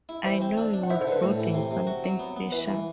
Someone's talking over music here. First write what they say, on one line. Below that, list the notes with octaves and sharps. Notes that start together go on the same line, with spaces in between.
I know you were brooding something special.
E4
E3 C5 E5
C4
D4
D4
F#5
E4 C5 E5
A4 C5
D3 B4
A2 A4
E3
C3
C3
F#4
F#3
B3
B3
E3 B4
E3